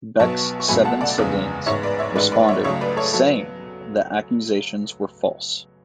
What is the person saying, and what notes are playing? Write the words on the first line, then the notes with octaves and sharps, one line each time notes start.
Beck's seven siblings responded saying the accusations were false.
B1 B2 F#3 B3 A5 C#6
C#6
C#2 B2 F#3 A3 G#5 B5
F#5 A5
D5 F#5
F#1 E2 C#3 G#3 B3
A1 G#2 G#3 B3 C#5 E5
B4 D5
C#5 E5
A1 G#2 G#3 B4 D5
B4 D5
C#5 E5
C#2 C#3 F#3 A3 C#5 E5
B4 D5
A4 C#5
F#3 B3 A4